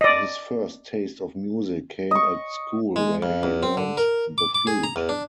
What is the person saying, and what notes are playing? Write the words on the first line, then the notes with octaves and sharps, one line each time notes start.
His first taste of music came at school where he learned the flute.
D5 D#5
D#5 C#6
G#3
F2
E2
C4
D3
A#4
D6
D6
G#4
A#5
E2
D4